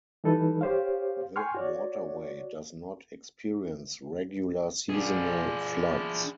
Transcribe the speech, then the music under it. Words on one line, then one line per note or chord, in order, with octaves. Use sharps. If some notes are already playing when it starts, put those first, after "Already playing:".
The waterway does not experience regular seasonal floods.
E3 G3 D#4 A4 B4
G4 C5 C#5 F5
G5 G#5 C6 C#6 F6
F#4 C#5 D5
D4 G#4